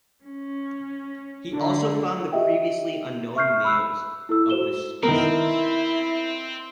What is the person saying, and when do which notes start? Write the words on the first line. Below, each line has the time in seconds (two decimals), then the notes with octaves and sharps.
He also found the previously unknown males of the species.
0.24 C#4
1.53 D3 D4
2.32 F4 G4 D#5 E5 G5
3.36 E5 C#6 F6 G6 C7
3.65 B5 E6 F#6
4.29 E4 A4 E6
4.50 F#4 C5 E7 G7
5.03 D#3 B3 C4 E4 A#4